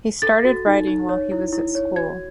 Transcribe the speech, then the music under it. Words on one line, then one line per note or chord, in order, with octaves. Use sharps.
He started writing while he was at school.
A4 A6
F#4
D#4
D#4
C#5
E4
E4
C#5
F#4 G#6